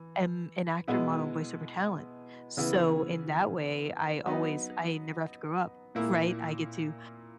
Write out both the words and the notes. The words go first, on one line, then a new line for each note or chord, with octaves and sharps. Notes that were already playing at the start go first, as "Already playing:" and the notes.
am an actor, model, and voice over talent. So in that way, I always I never have to grow up, right? I get to
Already playing: E3
B2 G#3 B3 E4
C#3 E3 B3 E4
F#3 B3 D#4
A#2 A#3 E4